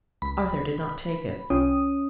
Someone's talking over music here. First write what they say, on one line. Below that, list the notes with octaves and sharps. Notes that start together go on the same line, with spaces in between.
Arthur did not take it.
C#2 B5
C2 C#4 F4 G5 D#6